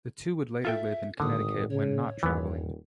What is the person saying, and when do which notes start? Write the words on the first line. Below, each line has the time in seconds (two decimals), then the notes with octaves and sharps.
The two would later live in Connecticut when not travelling.
0.65 F4 A4 E5 G5
1.20 G#1 A2 D3 D#6
1.70 C#3 C#5
2.23 D#1 E2 E3 B3